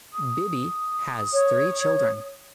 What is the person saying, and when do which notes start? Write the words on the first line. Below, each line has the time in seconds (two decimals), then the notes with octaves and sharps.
Bibby has three children.
0.13 D#6
1.33 C#5